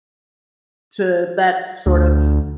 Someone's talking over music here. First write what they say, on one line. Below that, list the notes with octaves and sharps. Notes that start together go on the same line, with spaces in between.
to that sort of
D2